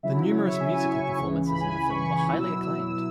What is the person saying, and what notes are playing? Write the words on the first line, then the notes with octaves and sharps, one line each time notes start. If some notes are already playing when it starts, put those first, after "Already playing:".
The numerous musical performances in the film were highly acclaimed.
C#3 F#3 E4 E5
C#5
E5
G#5
G#5
C#6
C#2 C#3 E3 C#6
B5
G#5
B5
C#6
B2 F#3 E4 E6
E6